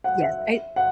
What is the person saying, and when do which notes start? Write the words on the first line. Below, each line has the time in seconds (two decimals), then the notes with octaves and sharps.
Yes, I
0.04 F#5
0.22 E5
0.76 F#5